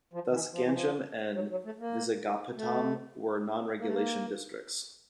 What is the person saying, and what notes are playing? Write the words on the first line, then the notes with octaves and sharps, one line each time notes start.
Thus Ganjam and Vizagapatam were non-regulation districts.
F3
D#3
E3
F3
E3
F3
F#3
F#3
A3
A#3
A3
A#3
A3
A#3